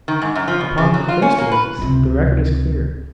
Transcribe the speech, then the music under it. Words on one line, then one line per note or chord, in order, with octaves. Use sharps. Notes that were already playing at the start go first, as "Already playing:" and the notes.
Upon the first of these, the record is clear.
D#3
G#2
F#2
F3
B2
C#3
F#3
F4
C#4
A#3
B4
C#2 C3